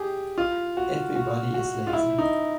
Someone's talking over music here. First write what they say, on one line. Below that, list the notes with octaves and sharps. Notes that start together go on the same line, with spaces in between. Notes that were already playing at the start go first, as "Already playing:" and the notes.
Everybody is lazy!
Already playing: G4 G#4
F4
F#4
F#4
F#4
F4
E4
D#4